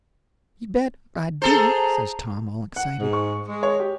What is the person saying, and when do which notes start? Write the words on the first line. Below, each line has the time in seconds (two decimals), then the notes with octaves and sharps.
"You bet I do," says Tom, all excited.
1.42 G#4 A4 C5 A#5
2.76 F#5
2.99 G#2
3.13 C#6
3.47 G#3
3.63 C#5
3.80 G4